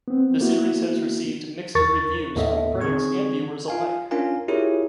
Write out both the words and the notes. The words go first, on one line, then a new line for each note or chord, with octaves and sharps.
The series has received mixed reviews from critics and viewers alike.
B3 C4
A#3 B3 E4 F#4
D#2 A#4 C#6 A6
D#2 A2 B3 A4 D#5 E5
D3 D#3 C4 G#4 C#6 G#6
F4 F5 G#5
C#4 D4 F4 A#4 F5 G#5
E4 F4 G4 G#4 A#4 C#5